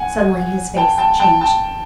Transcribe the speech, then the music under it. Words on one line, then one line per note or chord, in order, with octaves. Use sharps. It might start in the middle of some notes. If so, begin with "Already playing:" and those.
Suddenly his face changed.
Already playing: F#5 G#5
G5 A5
G5 A5
G5 A5
G5 A5